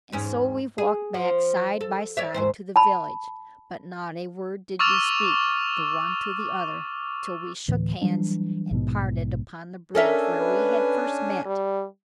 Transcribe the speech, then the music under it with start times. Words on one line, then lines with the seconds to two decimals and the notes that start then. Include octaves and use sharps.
And so we walked back side by side to the village, but not a word did we speak the one to the other, till we shook hands and parted upon the bridge, where we had first met.
0.12 E2 G#2 C#4
0.78 G#4
1.14 F3
1.81 A4
2.17 C#5 D5 E5
2.34 D#2 G#2 C5
2.76 A5 B5
4.79 C#6 D6 E6 F6 A6 F7
7.68 D2 A2 E3
8.02 E3 F#3 G3 D4
8.71 A#1 G#2 B2
9.95 C#4 D4 A4 A#4 E5 G#5
10.39 B4
11.46 G3